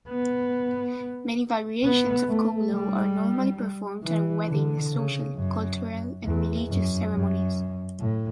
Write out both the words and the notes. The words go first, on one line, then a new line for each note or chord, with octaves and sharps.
Many variations of Kolo are normally performed at weddings, social, cultural, and religious ceremonies.
B3
B3
A3
G3
E3
D3
C#3
F#2
E2
F#2
F#2
A2